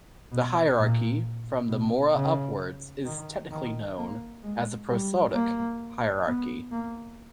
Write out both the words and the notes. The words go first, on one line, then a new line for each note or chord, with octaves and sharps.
The hierarchy from the mora upwards is technically known as the prosodic hierarchy.
B2
A#2
B2
C#3
D#3
D#3
A#3
G#3
G3
A#3
B3
A#3